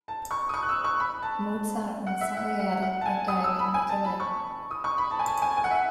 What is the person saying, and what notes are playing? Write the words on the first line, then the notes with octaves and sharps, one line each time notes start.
Mozart and Salieri are dining at an inn.
A5
C#6
D#6
C#6
F#6
E6
C#6
B5
A5
F#5
E5
F#5
F#5
F#5
A5
G#5
D#6
E6
B5
G#5
A5
B5
C#6
D#6
C#6
B5
A5
G#5
A5
G#5
G#5
F#5
E5